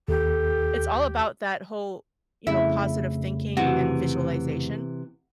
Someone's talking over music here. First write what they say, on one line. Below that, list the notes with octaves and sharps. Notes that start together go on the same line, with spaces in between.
it's all about that whole, you know, positive thinking and visualization,
D#2 G4 A4
F2 C#3 A3 E4
C3 E3 F#4